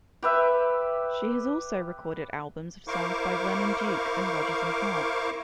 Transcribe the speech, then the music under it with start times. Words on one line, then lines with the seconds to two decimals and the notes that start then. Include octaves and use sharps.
She has also recorded albums of songs by Vernon Duke and Rodgers and Hart.
0.23 G4 B4 E5
2.88 E4 A#4 C5 F5 C#6 D6